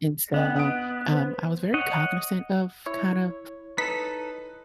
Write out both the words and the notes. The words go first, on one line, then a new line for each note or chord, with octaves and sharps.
and so, um, I was very cognizant of kind of
B3 D4 D#5 G5
D#6 D7
B4 C5
C#5 D#5 F#5
E4 C#5
D#4 A4 B4 B6